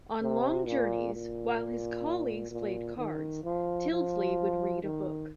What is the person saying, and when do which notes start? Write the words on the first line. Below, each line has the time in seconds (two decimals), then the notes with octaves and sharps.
On long journeys, while his colleagues played cards, Tyldesley would read a book.
0.22 C3
0.67 A#2
1.14 A#2
2.51 A#2
2.97 D#3
3.44 F3
3.91 F3
4.83 D#3